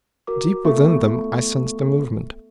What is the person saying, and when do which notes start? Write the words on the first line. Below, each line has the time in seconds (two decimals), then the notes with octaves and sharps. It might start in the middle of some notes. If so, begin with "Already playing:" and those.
Deep within them I sensed a movement.
0.27 F#4 A#4 D6
0.64 A3 B3 F4 A4 E5 C#6